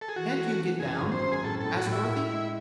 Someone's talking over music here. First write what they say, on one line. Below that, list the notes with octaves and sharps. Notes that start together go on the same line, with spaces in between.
"Can't you get down?" asked Dorothy.
A4
G#4
E3 F#4
A3
E3
F#2 G#4
G#1
C5
F#2
G#4
A2 A4
A2 A4
F#4
A2
E4
A2
G#3